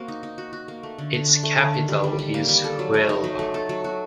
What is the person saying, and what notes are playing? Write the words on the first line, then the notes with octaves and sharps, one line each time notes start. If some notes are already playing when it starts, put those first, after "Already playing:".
Its capital is Huelva.
Already playing: A#3 C4 F#4
D#4
D#4
F#4
F#4
A#3
A3
D3
D3
D4
A3
D3
D#3
G3
G3
G3
A#3
G3
A4
F#3
A3
D#4
F#3
A3
A4
F#3
F#4